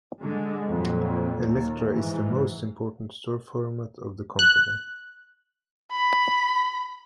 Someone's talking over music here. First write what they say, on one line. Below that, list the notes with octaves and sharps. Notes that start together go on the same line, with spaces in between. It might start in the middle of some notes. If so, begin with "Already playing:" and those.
Elektra is the most important store format of the company.
D3 G#3
F2 A#2 F#3
D#2
G#2 E3
F#6
B5